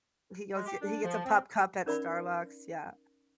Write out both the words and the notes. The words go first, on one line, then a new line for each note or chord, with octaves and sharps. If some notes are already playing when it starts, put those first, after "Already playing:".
He goes, yeah, he gets a Pup Cup at Starbucks. Yeah.
G#3
G4
D4
F3
C4
C#4 D#4 A#4 D5 E5 B5